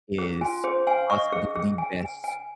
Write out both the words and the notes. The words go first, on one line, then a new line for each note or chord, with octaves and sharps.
is possibly the best
G#4
F4 G#5
G#4 C5
F5 G#5
D#5 C#6
G#4
G#4
G#5
G#5
G#5